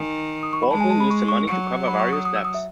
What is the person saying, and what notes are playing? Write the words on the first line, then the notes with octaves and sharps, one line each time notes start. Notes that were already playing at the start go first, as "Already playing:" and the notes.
Baldwin used the money to cover various debts.
Already playing: D#3 G#5
D#6
C#6
B5
G#3 A5
G#5
A5
B5
C#6
C#6
F#3 C#6
B5
C#6
D#6
D#6
E6
D#6
E5